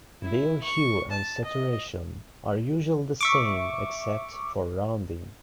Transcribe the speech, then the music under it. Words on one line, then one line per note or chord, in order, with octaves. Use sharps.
Their hue and saturation are usually the same except for rounding.
E4
C#6
A5
D#5
E5 C#6 D6